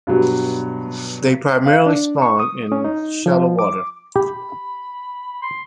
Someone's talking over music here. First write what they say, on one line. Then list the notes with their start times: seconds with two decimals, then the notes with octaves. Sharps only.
They primarily spawn in shallow water.
0.07 G2 B2 F#3 G3
1.66 F5
1.86 D4
2.22 C#6
2.40 D#6
2.72 C#4
2.84 D#4
3.26 F3
3.59 D6
4.16 G4 B5
5.42 C6